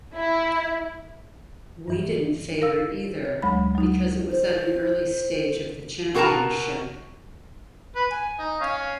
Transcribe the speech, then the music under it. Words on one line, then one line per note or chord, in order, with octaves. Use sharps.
We didn't favor either because it was at an early stage of the championship.
E4
G2 E3
A#4 F5 E6
C#5
D2 F#3 G#3 B5
F#3 D#4
C5
B2 F#4 A#4 G5 A5 A#5
B4
G#5
D#4
C#4 F5